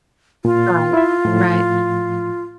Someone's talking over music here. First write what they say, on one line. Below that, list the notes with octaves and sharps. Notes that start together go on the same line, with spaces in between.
Right, right.
A#2 F4
E4 E5
A2 F3